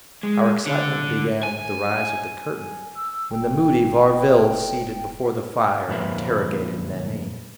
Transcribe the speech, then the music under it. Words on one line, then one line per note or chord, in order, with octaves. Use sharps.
Our excitement began with the rise of the curtain, when the moody Varville, seated before the fire, interrogated Nanine.
G#3
D3
G#5
E6
F1 G5
F2 A#2 B4 E5